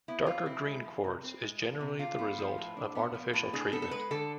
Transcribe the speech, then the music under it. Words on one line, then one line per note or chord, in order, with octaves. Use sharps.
Darker green quartz is generally the result of artificial treatment.
B3 E4
E3 F4
C4 E4
G#3
F3
C3
C4
G#3
F3
C3
D4 F4
B3
F3
A2
D4
B3
F3
A2
D4 G#4
B3 A4
A4
G#3 B4
D3 A4